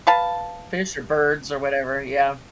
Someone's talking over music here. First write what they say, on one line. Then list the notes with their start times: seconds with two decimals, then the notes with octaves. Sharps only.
Fish or birds or whatever, yeah.
0.07 B4 F5 A5